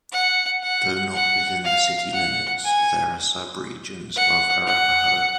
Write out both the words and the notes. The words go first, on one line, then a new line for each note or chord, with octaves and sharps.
Though not within the city limits, there are sub-regions of Arapahoe.
F#5
F#5
F#5
F5
F#5
G#5
F#5
F#5